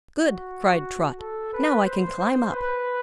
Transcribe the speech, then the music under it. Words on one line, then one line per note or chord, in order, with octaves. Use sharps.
"Good!" cried Trot; "now I can climb up."
F#4
A4
B4
C5
C5
B4